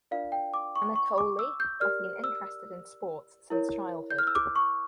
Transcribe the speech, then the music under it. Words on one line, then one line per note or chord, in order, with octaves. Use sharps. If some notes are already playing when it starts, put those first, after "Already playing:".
Anatoliy has been interested in sports since childhood.
D4 F4 A#4 D5 F5
G5
D6
C#6
C#6
D6
E6
G6
G4 A#4 D5 F6
E6
E4 A#4 C#5
G6
F6
E6
D6
C#6